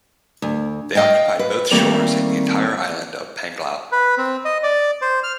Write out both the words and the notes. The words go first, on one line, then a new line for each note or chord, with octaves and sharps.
They occupied both shores and the entire island of Panglao.
D2
D#5 F5 G5
B4
D#3 G3 A3 A#3 C4
B4
C4
D#5
D5
C5
F6